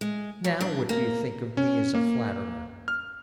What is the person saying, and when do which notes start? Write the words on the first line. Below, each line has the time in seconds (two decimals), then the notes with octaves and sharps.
Now what do you think of me as a flatterer?
0.01 G#3
0.44 F#3
0.61 D4
0.89 A#3
1.57 C#4
1.95 A#3
2.88 F6